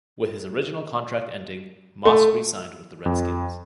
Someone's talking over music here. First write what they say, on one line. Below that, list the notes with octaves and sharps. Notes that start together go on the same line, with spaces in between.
With his original contract ending, Moss re-signed with the Redskins.
A3
F2